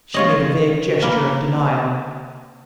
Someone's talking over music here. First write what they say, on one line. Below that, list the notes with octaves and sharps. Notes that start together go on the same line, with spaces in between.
She made a vague gesture of denial.
F4 C#5 D#5
A#3 A#4 B4